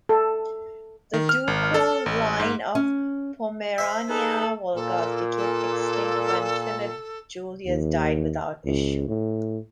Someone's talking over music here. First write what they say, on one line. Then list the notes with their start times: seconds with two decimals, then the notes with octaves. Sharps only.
The ducal line of Pomerania-Wolgast became extinct when Philipp Julius died without issue.
0.09 A4
1.14 D#3
1.29 F6
1.48 G#1
1.74 A4
2.06 A1
2.40 G#2
2.75 C#4
3.78 C5 E5
4.09 D#4 G#4 A4 B4
4.75 A#2 A4
5.37 A4
7.67 D#2
8.66 C#2
9.08 A2